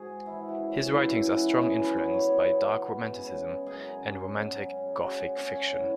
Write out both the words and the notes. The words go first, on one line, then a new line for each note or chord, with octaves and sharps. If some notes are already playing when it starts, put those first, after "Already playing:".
His writings are strong influenced by Dark Romanticism and Romantic gothic fiction.
Already playing: G#2 F#4 G#4
G#3
E3 E4
E3
F#4
C#3
F#4
E3
C#3 E4 E5
E3
E3 F#5
G#5
C#3 F#4 F#5
B2 G#4 G#5
B3 B4 B5
B3 C#5 C#6
B2 C#5 C#6
B3
B2
B3
B3
G#3
C#3
G#3
G#3
F#2 G#4 G#5
F#2
F#2
F#2
G#3
C#4
C#4
G#3
C#3 F#4 F#5
G#3
C#3 C#4 C#5
C#4
E3